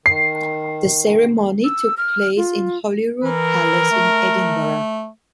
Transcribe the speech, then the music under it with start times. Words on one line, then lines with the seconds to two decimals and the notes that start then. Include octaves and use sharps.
The ceremony took place in Holyrood Palace in Edinburgh.
0.06 D#3 C7
1.64 E6
1.97 F6
2.37 F4
3.24 E3 A#4
3.91 A3